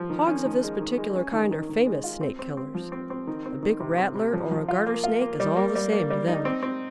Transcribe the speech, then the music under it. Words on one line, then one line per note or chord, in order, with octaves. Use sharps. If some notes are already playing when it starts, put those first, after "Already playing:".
Hogs of this particular kind are famous snake-killers--a big rattler or a garter snake is all the same to them.
Already playing: F3
D#3
C#4
D#3
G#3
D#3
G#3
C#4
D#3
D#3
D#3
G#3
F4
C4
C4
C4
F3
C4
C4
D#3
C4
D#3
C3
C4
C3
F3
F3
F4
A#3
F4
A#3
G3
A#3
G3
A#3
G3
D#4
C4
C4